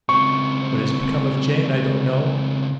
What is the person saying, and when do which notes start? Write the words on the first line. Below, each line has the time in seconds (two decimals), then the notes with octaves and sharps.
What has become of Jane I don't know.
0.09 C#2 C4 C#6